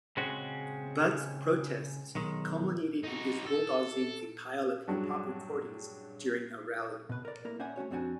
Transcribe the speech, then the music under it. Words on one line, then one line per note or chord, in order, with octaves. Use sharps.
Butts' protests culminated in his bulldozing a pile of hip-hop recordings during a rally.
C#3 G#3 C4 C#4 F#4
B1 D#3 G#3
D#4 F#4
A4
G2 F#3 G#3 C#4 D4 F#4
B2 B4
A#4 D5
A#3 E4 A#4
C#4 C5 D5 E5 F#5 G#5
A3 C#4 F#4 C#5
F2 D#3 C4 D4 F#4 G#5